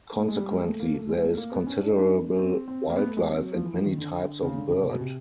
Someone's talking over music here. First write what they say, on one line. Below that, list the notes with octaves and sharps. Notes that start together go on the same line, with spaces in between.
Consequently there is considerable wildlife and many types of bird.
A#3
A3
G#3
G3
G#3
A3
A#3
A3
G#3
A3
A#3
B3
C#4
D4
D#4
D4
D#4
D4
C4
C4
A#3
B3
A3
G#3
C4
F#3
F3
E3
F3
D#3
D3
C#3
D3
C#3
C3
B2
C3